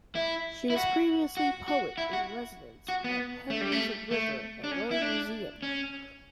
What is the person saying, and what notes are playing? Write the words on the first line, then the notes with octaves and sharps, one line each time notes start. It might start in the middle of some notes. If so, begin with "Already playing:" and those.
She was previously poet in residence at Henley's River and Rowing museum.
E4
E4
F#4
F#4
F#4
E4
F#4
F#4
B3
A3
G3
A3
A3
D4
C#4
E4
D4
C#4